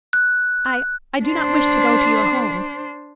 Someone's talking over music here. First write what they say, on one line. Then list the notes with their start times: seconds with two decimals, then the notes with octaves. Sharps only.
"I--I do not wish to go to your home."
0.13 F#6
1.23 D4 C5